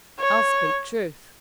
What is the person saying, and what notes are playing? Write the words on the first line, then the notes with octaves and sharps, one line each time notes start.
I'll speak truth.
C#5